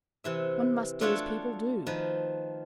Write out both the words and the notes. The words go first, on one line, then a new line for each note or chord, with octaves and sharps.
One must do as people do.
C3 E3 E5
A3 D4 F4 F#4 C#5 E5
D#3 F3 B4